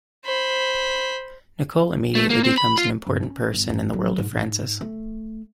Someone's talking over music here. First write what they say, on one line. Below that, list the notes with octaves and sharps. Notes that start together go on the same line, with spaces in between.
Nicole immediately becomes an important person in the world of Francis.
C5 B5
A3
A#3
C4
B5
F4
G2
C#4
G1
G2
F#3
G#2
G#2
A3